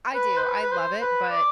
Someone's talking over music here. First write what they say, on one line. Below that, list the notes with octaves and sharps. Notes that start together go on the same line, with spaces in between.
I do, I love it, but
B4
C5
B4
B4
C5
B4
D5